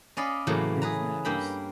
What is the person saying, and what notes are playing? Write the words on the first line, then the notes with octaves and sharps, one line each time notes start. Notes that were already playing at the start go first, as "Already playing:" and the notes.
Truth matters.
C#4 D5 D#5 F5 B5
A2 C#3 E3 F#3 A#3
G#4 B4 A#5
G2 A#3 G5 A#5 B5